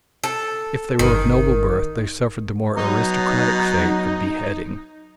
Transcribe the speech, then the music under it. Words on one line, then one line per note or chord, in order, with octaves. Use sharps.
If they were of noble birth, they suffered the more aristocratic fate of beheading.
A4
G1 D#3 A#4
B2 F#3 D#4 A#5